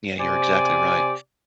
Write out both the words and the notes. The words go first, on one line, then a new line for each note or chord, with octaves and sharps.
Yeah, you're exactly right.
C3 G4 C5 D5 G#5